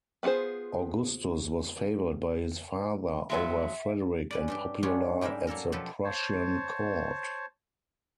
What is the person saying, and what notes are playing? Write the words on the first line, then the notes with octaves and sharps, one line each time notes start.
Augustus was favored by his father over Frederick and popular at the Prussian court.
B3 F4 F#4 G#4 C5
F2 F#3 G#3 E5
C#4 B4 D5
G2 D4 G4
G#3 B3 C#4 D4 G4 C#5
G#2 G3 G#3 A#4 E5
F#3 A#3 A4 A#4
B2 F3 F#3 G4 A4 B4
C5 C#5 A5